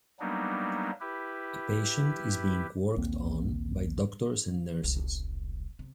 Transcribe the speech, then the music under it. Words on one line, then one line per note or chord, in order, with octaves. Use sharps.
A patient is being worked on by doctors and nurses.
F#3 G3 A#3 B3 D4 D#4
E4 G4 B4
A#1 D#2 A#3 C4
E1 C2
C3